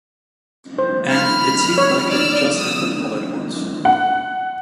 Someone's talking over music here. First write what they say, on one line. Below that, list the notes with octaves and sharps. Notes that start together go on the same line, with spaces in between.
And, it seemed like it just happened all at once.
C5
B5 F6
C#5
D5 E6 F6
D#6 E6
F#5